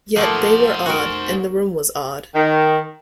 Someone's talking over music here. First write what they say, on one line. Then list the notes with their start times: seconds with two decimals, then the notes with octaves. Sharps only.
Yet they were odd and the room was odd.
0.16 F3 A3 A#3 C5 F#5
0.86 F#4 A#4
2.35 D#3